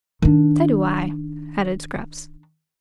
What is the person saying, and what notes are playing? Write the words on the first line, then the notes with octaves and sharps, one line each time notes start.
"So do I," added Scraps.
D#3 D4